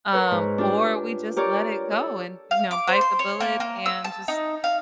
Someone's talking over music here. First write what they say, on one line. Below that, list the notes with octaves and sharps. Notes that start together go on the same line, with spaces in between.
um, or we just let it go and, you know, bite the bullet and just
A#4 B4 C#5
G#2
D4 F4 G4
G4 A#4 C#5 D5 D6
A4
F5
D6
C5
C6
C#5
A#3
A#3
E6
A5
D#4
F5